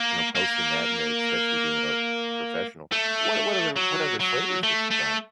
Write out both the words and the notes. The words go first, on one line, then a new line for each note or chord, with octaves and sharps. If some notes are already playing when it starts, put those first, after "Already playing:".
you know, posting that, and especially being a professional. What what other what other flavors did you try?
Already playing: A#3
A#3
A3
F#3
F#3
A3
A3